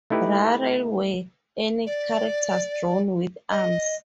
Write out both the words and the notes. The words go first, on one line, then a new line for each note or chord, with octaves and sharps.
Rarely were any characters drawn with arms.
A3 D#4 E4 G4 B4
D5
D#5